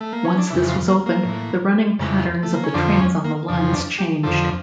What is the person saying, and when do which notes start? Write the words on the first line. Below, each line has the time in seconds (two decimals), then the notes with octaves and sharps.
Once this was opened, the running patterns of the trains on the lines changed.
0.01 A3
0.13 A#3
0.25 C#4
0.38 D4
0.50 F2 C#3 E3 E4
0.69 F4
0.88 A#3
1.06 A#3
1.25 A2 E3
1.99 F2 C#3 E3
2.43 A3
2.54 A#3
2.64 C#4
2.74 F2 D3 F3 D4
2.99 C#4
3.24 A#3
3.48 F2 C#3 F3 D4
3.73 D4
3.98 G4
4.23 F2 D3 F3 A4